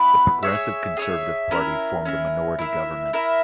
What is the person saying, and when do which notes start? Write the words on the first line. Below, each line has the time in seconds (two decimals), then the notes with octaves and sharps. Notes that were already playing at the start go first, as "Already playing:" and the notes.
The Progressive Conservative Party formed a minority government.
Already playing: B3 E4 B4
0.43 G#4 C#5 E5
0.97 G#4 C#5 E5
1.51 C#4 E4 A#4
2.05 C#4 E4 A#4
2.59 E4 A#4 E5
3.13 E4 A#4 E5